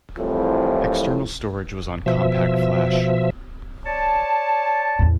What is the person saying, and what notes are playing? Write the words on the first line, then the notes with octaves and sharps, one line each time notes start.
External storage was on CompactFlash.
C2 F2 A2 E3 F3
B2 F3 E5
C#5 D5 A5
E2 A2